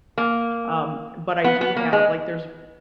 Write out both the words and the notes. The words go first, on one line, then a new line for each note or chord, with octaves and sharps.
um, but I do have like, there's o
A#3
B3
B3
A#3
G#3